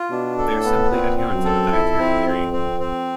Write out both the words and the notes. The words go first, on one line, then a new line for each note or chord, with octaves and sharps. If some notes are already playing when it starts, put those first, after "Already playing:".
They are simply adherents of a dietary theory.
Already playing: F4
B2 D4
A4
A2
B3
A#2 C4
C4
F#2
A4
F2 E4
C4
C4
C4
C4